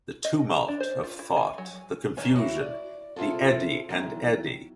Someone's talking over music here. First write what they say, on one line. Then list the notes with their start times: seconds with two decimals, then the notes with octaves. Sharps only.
The tumult of thought, the confusion, the eddy and eddy.
0.25 D#5
0.68 D4
0.80 C5
1.03 F4
1.19 E4
1.37 G#5
1.58 F#3
2.17 D#3 A#4 C#5 G#5
2.36 E4 F#4
2.61 D5
3.16 C3 E4 F4 G#4 A4
3.89 E2 A#2 D#3 F#3